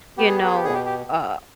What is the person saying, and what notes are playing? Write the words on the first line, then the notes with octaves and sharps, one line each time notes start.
you know, uh
B3 G4
G#4
G4
B3 G#4
G4
B2 G#4
G4
G4